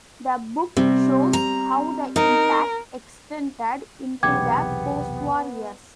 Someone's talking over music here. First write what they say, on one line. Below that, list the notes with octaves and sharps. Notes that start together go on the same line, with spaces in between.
The book shows how the impact extended into the postwar years.
C3 G3 C4
A#5
D#4 A#4
B1 E2 C3 B3 G5 D6 G#6